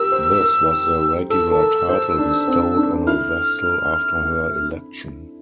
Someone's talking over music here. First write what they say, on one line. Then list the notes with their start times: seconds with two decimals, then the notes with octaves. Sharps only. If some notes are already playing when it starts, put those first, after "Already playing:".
This was the regular title bestowed on a Vestal after her election.
Already playing: G4 A#4 E6
0.12 C5
0.41 A#4
1.30 A4 E6
1.51 A4
1.59 A#4
1.89 C5
2.18 D4
2.48 C4
2.77 D4
3.07 E4 F6